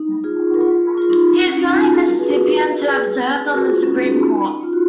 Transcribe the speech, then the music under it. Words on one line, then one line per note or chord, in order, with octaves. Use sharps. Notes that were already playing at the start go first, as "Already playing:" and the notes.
He is the only Mississippian to have served on the Supreme Court.
Already playing: D#4
F4 G#4
A#4
F4 G#4
F4
D#4
D#4
C#4
D#4
F4
D#4 F#4
F4 G#4
F#4 A#4
G#4 B4
F#4 A#4
G#4 B4
F#4 A#4
F4 G#4
C#4
D#4
F4
F#4